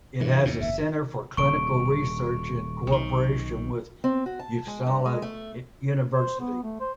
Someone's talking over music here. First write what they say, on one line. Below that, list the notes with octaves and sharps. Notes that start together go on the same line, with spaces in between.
It has a centre for clinical research in cooperation with Uppsala University.
G2 E3 D4
D#2 G#2 B2
F#1 E5
D#1 C#6 D7
B1 D#3
C4
F#4
A5
G#3
G2
G#3
A3
C5
B3
A3
C5